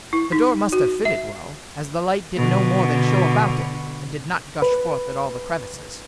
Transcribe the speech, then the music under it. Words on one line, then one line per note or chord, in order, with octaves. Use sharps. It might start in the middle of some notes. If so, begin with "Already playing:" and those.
The door must have fitted well, as the light did no more than show about it, and did not gush forth at all the crevices.
E4
D#4
F#4
E5
B2 D3
B4